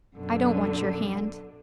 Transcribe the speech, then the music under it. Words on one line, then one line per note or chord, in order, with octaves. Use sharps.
I don't want your hand.
F#2 B2 D3